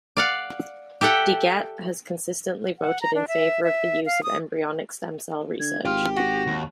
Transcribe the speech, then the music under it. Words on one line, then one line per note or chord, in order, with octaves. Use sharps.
DeGette has consistently voted in favor of the use of embryonic stem cell research.
D5 F5 F#5
G4 A4 E5 F#5 G5
F#5
A#5
D4
E5
E5
F5
D#6
D3 G#6
G#1 F4 G4 F6
F#4 A#6
D#2